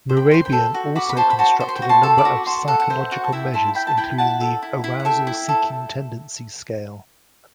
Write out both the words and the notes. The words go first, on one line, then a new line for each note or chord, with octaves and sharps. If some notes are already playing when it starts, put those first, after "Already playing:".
Mehrabian also constructed a number of psychological measures including the "Arousal Seeking Tendency Scale".
C5
G5 B5
C5 C6
G5 B5
A4
F#4
F#4 B5 D6
B5
C5 A5 C6
B5
F#4 A5 C6
C5 B5
C6
G5 B5
F#4
A5 C6
A4
B5 D6
F#4
F#4 A5 C6
A4 F#5
F#5
C5 E5
F#4 F#5
A5
E4 E5 G5
E4 A5 C6
E4 G5 B5
A5
E4 G5 B5
E4 F#5 A5
A4
E4
E4
F#5
A4 E5 G5
E4
A4